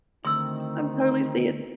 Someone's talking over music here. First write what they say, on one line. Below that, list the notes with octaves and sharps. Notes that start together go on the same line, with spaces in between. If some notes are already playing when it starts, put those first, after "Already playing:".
I'm totally seeing it.
D2 D#3 C4 D#4 C6 E6